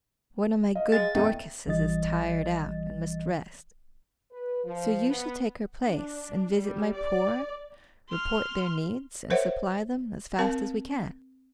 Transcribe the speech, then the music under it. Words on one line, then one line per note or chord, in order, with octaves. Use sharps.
One of my good Dorcases is tired out and must rest; so you shall take her place and visit my poor, report their needs, and supply them as fast as we can.
D#5 F5
G#3 A6
E2 A2 D#4 A4 E5 G5
A1 E3 G3 D#5 A6
B4
F3
B3
D4
G3
D5
C6 F6
A#4 C5 C#5 E5 F#5
C4 A#4 F5 A5